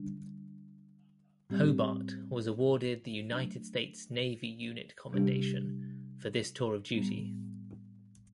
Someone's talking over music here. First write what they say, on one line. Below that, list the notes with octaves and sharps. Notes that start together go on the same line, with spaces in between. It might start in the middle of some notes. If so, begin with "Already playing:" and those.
"Hobart" was awarded the United States Navy Unit Commendation for this tour of duty.
Already playing: D3 G3 D4
A2 G3 C4 G4
F#3 A3 D4
C3 G3 D4 G4
A2 G3 B3